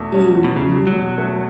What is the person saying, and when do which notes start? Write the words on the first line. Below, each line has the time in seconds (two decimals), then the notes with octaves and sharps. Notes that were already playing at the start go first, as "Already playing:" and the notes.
Mm, mhm.
Already playing: E2 B2 A3
0.14 C#4
0.35 E2
0.44 B2
0.56 E2 C#3
0.77 E2
0.87 F#3
0.97 B2
1.18 A3